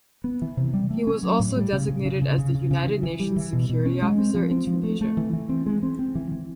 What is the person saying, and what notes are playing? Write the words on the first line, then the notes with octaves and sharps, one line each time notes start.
He was also designated as the United Nations Security Officer in Tunisia.
B3
E3
C3
G3
A3
C#4
F#3
A2
G3
C#3
C#3
C#3
C#3
C#3
C#3
C#3
E3
E3
G3
E3
B2
B2
C#4
G#3
C4
F3
C4
F3
A3
A3
E3
E3
C4
G#3
C4
C4
E3
E3